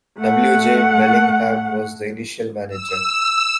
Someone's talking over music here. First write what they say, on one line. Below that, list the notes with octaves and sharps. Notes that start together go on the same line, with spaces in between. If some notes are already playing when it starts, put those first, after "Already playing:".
W. J. Bellingham was the initial manager.
A3 F#5
E6